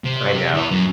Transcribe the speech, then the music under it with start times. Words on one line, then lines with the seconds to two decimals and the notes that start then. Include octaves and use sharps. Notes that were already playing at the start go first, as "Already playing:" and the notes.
I know.
0.05 C3
0.54 E3 B3
0.71 F#2